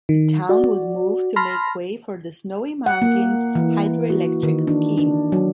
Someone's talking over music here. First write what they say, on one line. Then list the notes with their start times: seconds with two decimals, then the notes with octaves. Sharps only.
The town was moved to make way for the Snowy Mountains Hydro-Electric Scheme.
0.09 D#3
0.49 F#4 D5
1.36 A5 B5 C6 F6 A#6
2.86 F#5
3.02 A#3
3.55 E3
4.10 F#4
4.43 D#3
4.67 D4
4.98 D4
5.32 F#3